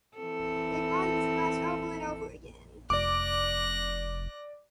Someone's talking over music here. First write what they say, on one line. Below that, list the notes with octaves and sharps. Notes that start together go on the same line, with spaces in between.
They grind this brass over and over again.
E3 C4 A4
F1 D5 D6 F#6 A#6